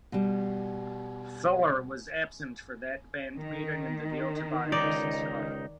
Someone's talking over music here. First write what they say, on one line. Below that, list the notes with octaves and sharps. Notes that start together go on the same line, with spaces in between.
Fuller was absent for that band meeting and the deal to buy Reese's car.
B2 G3
D#3
C#2 D#4 D5